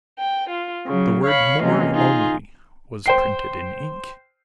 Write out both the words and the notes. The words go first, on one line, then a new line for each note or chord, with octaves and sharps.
The word "moor" only was printed in ink.
G5
F4
C#3 F#3
C#5 F5 B5 C#6
C3 E3 G#3 A#3 C#4 F4
D#4 F4 G#4
C5 G5 C7